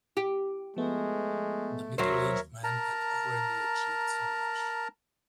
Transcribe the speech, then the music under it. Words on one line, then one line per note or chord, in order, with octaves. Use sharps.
The middle-aged man had already achieved so much.
G4
F3 G#3 A3 B3
D#2 F#3 A#4 C5 C#5 E5
A#4 A5 A#5